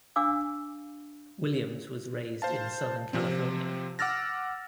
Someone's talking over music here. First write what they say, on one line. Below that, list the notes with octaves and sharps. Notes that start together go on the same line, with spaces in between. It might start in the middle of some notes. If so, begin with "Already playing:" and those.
Williams was raised in Southern California.
D4 F5 G#5 D6 E6
C5 F5 A5
C3 F3 C4
F#5 D6 E6 F6 A6 A#6